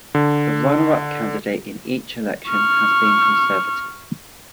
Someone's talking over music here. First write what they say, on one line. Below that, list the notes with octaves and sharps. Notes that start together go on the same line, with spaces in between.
The runner-up candidate in each election has been Conservative.
D3
C#6 F6